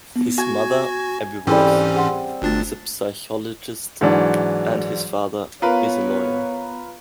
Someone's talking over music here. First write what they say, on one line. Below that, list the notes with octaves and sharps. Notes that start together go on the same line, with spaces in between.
His mother, Abby Ross, is a psychologist, and his father is a lawyer.
B3
F#4 G#5
G#2 E3 G3 C4 C#4 E4 G#4 A4
G#4 F#5 C6
G1 A3 D4 F4 F#4 A6
G#2 E3 F#3 D4
B3 F4 A#4 B4 C#5